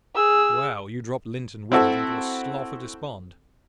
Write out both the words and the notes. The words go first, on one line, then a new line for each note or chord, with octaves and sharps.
Well, you dropped Linton with it into a Slough of Despond.
G#4 E6
C4 E4 F#4 A4